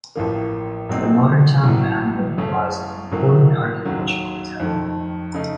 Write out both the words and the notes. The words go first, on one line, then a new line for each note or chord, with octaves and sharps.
The modern town of Amioun lies on an important archaeological tell.
A1 A2 F3 A#3
A#1 A#2 F#3 C4 D#4
A1 A2 F#3
F#2 C#3 A3 C#4
A#1 A2 F#3 A#3
D#2 C#3 F#3
F2 D#3 A3
C#3 A3 D#4